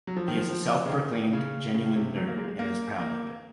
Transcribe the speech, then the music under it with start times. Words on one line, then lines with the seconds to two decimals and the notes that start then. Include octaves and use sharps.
He is a self-proclaimed "Genuine Nerd," and is proud of it.
0.07 F#3
0.17 F3
0.28 D#3
0.37 F3
0.49 F3
0.86 C#3
0.90 D#3
1.33 C#3
1.74 C#3
1.96 C3
2.16 F#3
2.28 A#3
2.38 G#3
2.48 G#3
2.59 A#3
3.00 A#3